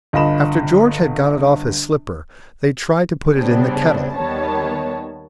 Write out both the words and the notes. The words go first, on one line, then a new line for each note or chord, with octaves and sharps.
After George had got it off his slipper, they tried to put it in the kettle.
G1 F4 D#5 B5 E7
C#3 G3 B3 C4 D4
D#2 D#3 G3 B3 C#5 A5